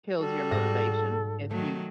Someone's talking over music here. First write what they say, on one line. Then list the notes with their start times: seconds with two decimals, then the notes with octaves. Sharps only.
kills your motivation if you
0.20 G3 F#4 A4
0.51 G#2 A#6
1.51 D#3 F#3 A3